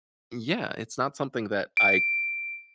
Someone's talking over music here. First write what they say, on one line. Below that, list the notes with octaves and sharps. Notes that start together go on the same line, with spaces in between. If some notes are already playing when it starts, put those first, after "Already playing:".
yeah, it's not something that I
D7